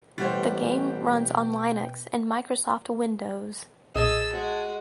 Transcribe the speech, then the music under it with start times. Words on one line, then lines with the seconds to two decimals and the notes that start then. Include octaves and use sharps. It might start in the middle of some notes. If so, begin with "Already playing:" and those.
The game runs on Linux and Microsoft Windows.
0.18 A1 B2 G3 F#4 C5 G5
3.96 B1 A#2 G#4 D#5 G#5 A5 E6
4.33 G#3 F#4